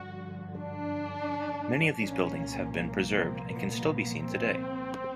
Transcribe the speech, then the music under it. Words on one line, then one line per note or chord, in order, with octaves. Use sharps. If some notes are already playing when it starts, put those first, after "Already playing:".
Many of these buildings have been preserved and can still be seen today.
Already playing: G2 D3 F3 F#4
D4
C2 A#2 F3 A#3 C#4
C4
B3
C4